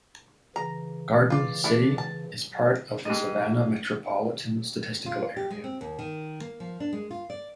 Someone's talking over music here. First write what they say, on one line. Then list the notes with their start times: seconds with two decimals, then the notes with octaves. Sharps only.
Garden City is part of the Savannah Metropolitan Statistical Area.
0.56 C#3 E3 A#5
1.30 F4 D5
1.64 D4 E4 A4
1.98 A5
3.05 G#2 G4 D#5
5.06 F4
5.37 G4
5.51 G#3
5.64 C4
5.81 D#2
5.99 D#3
6.40 A#3
6.60 F3
6.80 D4
6.93 G#3
7.11 F4
7.30 D5